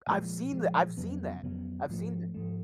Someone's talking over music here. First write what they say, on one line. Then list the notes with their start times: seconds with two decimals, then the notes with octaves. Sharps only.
I've seen tha I've seen that. I've seen that.
0.07 A#2 F3 G#3
0.53 A#2 F3 G#3
0.97 F2 C#3 F#3 B3
1.43 F2 C#3 F#3 B3
1.89 G#2 F3 A3
2.34 G#2 F3 A3